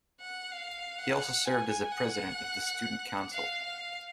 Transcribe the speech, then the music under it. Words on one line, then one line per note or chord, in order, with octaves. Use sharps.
He also served as a president of the student council.
F#5
F5
F#5
G#5
F#5
F5
F5